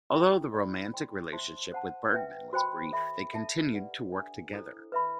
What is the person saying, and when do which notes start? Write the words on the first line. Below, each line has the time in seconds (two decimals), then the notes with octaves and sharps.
Although the romantic relationship with Bergman was brief, they continued to work together.
0.12 E4 A4 E5 G5
0.53 A4 D5 G5 B5
0.93 C5 G5 C6
1.33 C5 E5 A5 C6
1.73 C5 F#5 A5
2.13 B4 E5 G5
2.53 F#4 C5 G5 B5
2.92 A4 E5 B5
3.33 A4 E5 A5
3.72 G4 B4 D5 F#5
4.12 D4 A4 E5
4.53 E4 A4 C5
4.92 B4 E5 B5